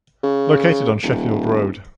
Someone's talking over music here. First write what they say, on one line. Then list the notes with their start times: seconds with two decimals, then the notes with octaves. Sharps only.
Located on Sheffield Road.
0.23 C#3
1.03 D#1